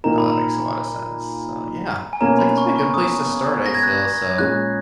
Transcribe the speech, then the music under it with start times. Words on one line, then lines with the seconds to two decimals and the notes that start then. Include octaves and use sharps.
No, that makes a lotta sense, so, yeah, that gives me a good place to start, I feel so,
0.04 A#2 A#3 D#4 A#4 A#5
0.18 B5
0.32 A#5
2.13 G#5
2.21 B2 A#3 C#4 A#5
2.39 B5
2.58 C#6
2.76 C#6
2.94 D#6
3.66 A#6
3.75 G#6
3.83 F#6
4.38 A#2 G#3 C#4 G#4 F#6